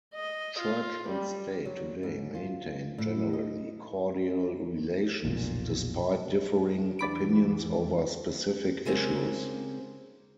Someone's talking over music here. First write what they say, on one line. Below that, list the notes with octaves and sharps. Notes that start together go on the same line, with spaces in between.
Church and State today maintain generally cordial relations despite differing opinions over specific issues.
D#5
F4
G3
F#3
G#2
F4
A2
D#5
F1 B1 A#2
E2 E3 D4 B5 D7
C#3 G#3 A#3 C4